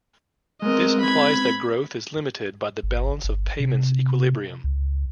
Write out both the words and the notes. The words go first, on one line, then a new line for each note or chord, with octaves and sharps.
This implies that growth is limited by the balance of payments equilibrium.
G#3 B3 C4 A#4 D#5
B5 G#6
G1
G1
C3
C#2